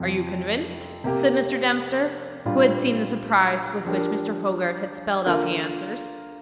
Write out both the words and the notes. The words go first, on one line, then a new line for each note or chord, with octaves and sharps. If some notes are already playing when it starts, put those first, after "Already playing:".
"Are you convinced?" said Mr. Dempster, who had seen the surprise with which Mr. Hogarth had spelled out the answers.
Already playing: F2 C3 F3
C3 A#3 G4
A#2 G3 D4 F4
F3 D4 G4 A#4
D3 A#3 F4 A#4